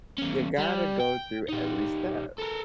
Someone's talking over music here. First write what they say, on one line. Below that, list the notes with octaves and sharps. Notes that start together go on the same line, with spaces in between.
you gotta go through every step,
E2 C#4
G3
G5
G3 D#4
A4 A#4